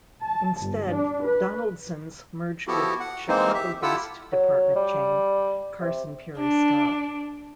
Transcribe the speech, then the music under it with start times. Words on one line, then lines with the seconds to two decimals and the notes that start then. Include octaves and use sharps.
Instead, Donaldson's merged with Chicago-based department chain Carson Pirie Scott.
0.22 A5
0.59 G1
0.89 D4
1.24 B4
2.67 F3 B3 E4 F#4 G4 A4
3.00 F#5
3.28 E3 G#3 A#3 C4 D#4 C5
3.54 G4 E5
3.82 E4 F4 G4 A4 F#5 E6
4.32 F#3
4.76 G3
5.81 C3
6.38 D4